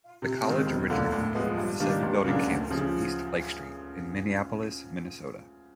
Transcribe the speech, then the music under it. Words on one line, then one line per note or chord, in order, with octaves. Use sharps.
The college originally occupied a seven-building campus on East Lake Street in Minneapolis, Minnesota.
C3
D#3 G#3 C4
E1
D2 D3 F#3 A#3
A2
F3 G#3 B3
G2
D#3 G3 A#3 D4
C#2
C#3 F#3 A#3 D4
D2
C#3 F3